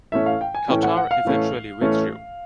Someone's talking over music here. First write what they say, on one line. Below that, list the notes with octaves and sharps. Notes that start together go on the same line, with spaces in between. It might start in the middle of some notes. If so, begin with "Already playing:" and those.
Qatar eventually withdrew.
A2 E3 A3 C#4 E5
F5
G5
G#5
A2 E3 A3 C#4 G5
F#5
F#5
F5
A2 E3 A3 C#4
A2 E3 A3 C#4